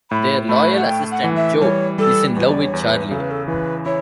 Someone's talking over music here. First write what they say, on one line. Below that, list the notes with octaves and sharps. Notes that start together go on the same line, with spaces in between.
Their loyal assistant, Joe, is in love with Charlie.
A2 B5
A3 B5
F#5
A3 G5
F#5
E3
E5
G3 C#5
G3 A4
E2 B4
D5
C#5
E2
B4
C#3 A4
B4
A4
E3 B4
E4 C#5